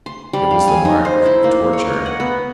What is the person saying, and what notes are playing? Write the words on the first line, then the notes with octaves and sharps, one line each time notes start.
It was the mark of--torture!
C6
G3
F5
G#5
D#4
C5
E4
A#3
C#5
D#5
F#5
B3